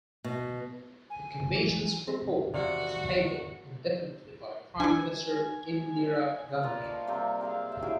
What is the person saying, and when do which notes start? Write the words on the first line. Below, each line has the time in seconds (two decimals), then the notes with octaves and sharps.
The commission's report was tabled indefinitely by Prime Minister Indira Gandhi.
0.24 B2
1.10 G#5
1.40 G1
1.55 E3
2.08 C4
2.54 E2 G#2 C3 D#3 F4 F#4 D5 F5
4.80 D4 E4 G#5
6.62 A#3 F4 B4 D5
6.84 C5 D#5 A5 C#6
7.07 C3 G3 A#3 C4
7.41 C4 G#4 F5
7.69 E5 F5
7.83 F#3 E4 G4 G#4